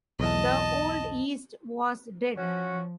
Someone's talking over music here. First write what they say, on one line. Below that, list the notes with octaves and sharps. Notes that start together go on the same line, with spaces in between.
The Old East was dead.
B1 E2 D#5 A5
F3 C#4 F#4